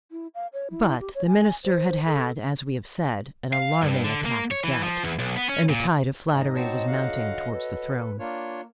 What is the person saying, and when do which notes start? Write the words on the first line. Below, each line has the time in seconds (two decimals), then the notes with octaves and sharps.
But the minister had had, as we have said, an alarming attack of gout, and the tide of flattery was mounting towards the throne.
0.11 E4
0.35 F5
0.53 C#5
0.71 E4
1.00 G4
1.15 C#5
1.27 G#5
1.64 C5
2.06 A4
3.53 F5
3.82 G2
4.04 D3
4.26 A#3
4.51 C#5
4.64 E3
4.83 F3
5.04 E2
5.19 B1
5.36 B3
5.49 C#4
5.69 A#2
6.33 D#2 G#2 D#4 D#5
6.56 C4 F#4 C5 C#5 A5
6.87 D3 F5 F#5
7.52 A4 B4
8.19 A#3 D4 F4 C#5